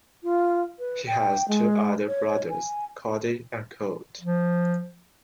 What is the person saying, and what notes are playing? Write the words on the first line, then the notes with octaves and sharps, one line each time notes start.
He has two other brothers, Cody and Colt.
F4
B4
G5
G#3
C#5
G#5
F3